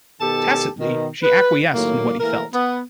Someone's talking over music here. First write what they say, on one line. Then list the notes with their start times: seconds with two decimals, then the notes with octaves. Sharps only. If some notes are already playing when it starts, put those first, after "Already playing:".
Tacitly, she acquiesced in what he felt.
0.21 B2 D#3 G4 A4 A5
0.80 B2 D#3
1.23 B4
1.74 A2 D#3 F#3 A#3
2.20 E3 A3 A#3 A#4
2.53 B3